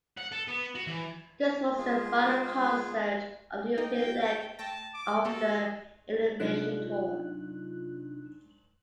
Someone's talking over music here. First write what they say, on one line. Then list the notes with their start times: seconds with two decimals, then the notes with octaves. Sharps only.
This was the final concert of the European leg of the Elevation Tour.
0.18 F#5
0.32 A4
0.48 B3
0.75 F#4
0.87 E3
1.78 G#3 F4 G#4
3.78 A#3 D#4 G5
4.59 A3 G5 A5 A#6
4.94 D6
5.25 A#3 F#4 G4 A4
6.40 C3 F#3 D4 D#4 F4 F#6